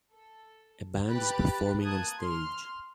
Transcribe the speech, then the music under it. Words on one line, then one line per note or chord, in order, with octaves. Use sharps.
A band is performing on stage.
A4
G4 B4 B5 F#6 A6
A#3 A5 D#6 F#6 G#6
C6 F6